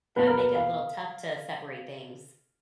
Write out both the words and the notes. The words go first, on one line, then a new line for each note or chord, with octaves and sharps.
that would make it a little tough to separate things.
B2 A#3 B4
A#4
B4
F5